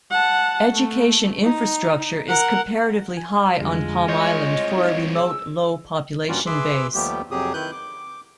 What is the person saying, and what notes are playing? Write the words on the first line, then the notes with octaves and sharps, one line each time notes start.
Education infrastructure is comparatively high on Palm Island for a remote low population base.
F#5 A5
A3
D#4
A#4 F#5
G#5
F2 D3 G3 G#3 F4
C2 C#5 D#5 C6 G6 A#6
D#4 F4
G#4 E6
G2 G3 A#3 C#4 F4 F#4
G#4 B4 E5 C6 D6 E6
D#2 F3 G3 A3 B3 G4
F2 C3 F#3 G4 G#4 D#6
D#3 E4 B4 F#6 G6
D6